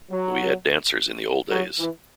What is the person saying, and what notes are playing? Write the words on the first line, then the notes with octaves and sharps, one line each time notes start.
We had dancers in the old days.
F#3
F#3
E3